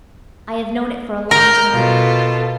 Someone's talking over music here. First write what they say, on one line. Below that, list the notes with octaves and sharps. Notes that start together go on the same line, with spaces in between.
I have known it for a long time.
A#4 F6 G6
B2 F4 A4